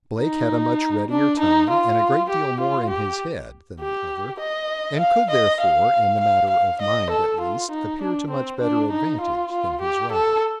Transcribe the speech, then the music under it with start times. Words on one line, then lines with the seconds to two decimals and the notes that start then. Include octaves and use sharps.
Blake had a much readier tongue and a great deal more in his head than the other, and could therefore, in the matter of mind at least, appear to much better advantage than his rival.
0.19 D#4
1.10 D4
1.39 D#4
1.70 F4
2.30 G4
2.60 F4
2.89 G4
3.80 G4
4.40 D#5
5.00 F5
5.31 D#5
5.60 F5
6.21 F5
6.50 F5
6.81 D#5
7.11 A4
7.41 F4
7.71 D#4
8.02 D4
8.31 C4
8.61 D4
8.91 D#4
9.21 F4
9.52 F4
9.81 G4
10.12 A4